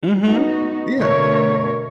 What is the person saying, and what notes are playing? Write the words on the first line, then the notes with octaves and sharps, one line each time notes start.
Mhm, yeah.
B3 D#4 F#4
B2 D3 A3 A#4 C#5